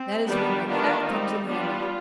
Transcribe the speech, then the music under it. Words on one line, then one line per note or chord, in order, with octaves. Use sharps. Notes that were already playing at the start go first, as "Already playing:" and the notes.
That is where my fat comes in handy.
Already playing: C4
D#3 G3 B3 D4 G4
D#3 B3 D4 F4
G3 C4 D#4
G3 B3 D4 F4